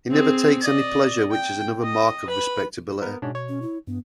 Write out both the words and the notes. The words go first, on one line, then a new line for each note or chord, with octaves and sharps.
He never takes any pleasure, which is another mark of respectability.
C4 G#4
D5 D#5
G5
D#5
B4 B5
B3 A#4
G#2 B2 C#4 D4
C#5
C#4
E4
G2 B3